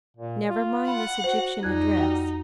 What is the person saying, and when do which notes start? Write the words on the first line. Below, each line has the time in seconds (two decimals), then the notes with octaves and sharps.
Never mind this Egyptian address.
0.17 A#2
0.49 F4
0.88 F#5 B5
1.24 F#4 C5
1.63 F2 G3 D#4 F#6 G#6
1.97 F#4 F#5 G5